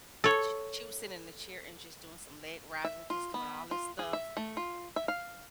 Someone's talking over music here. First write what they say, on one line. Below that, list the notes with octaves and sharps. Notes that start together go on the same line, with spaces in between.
Sh she was sitting in the chair and just doing some leg rising, just doing all this stuff.
A4 C#5
E5
F4
B3
F4
G#4
E5
A3
F4
E5
F5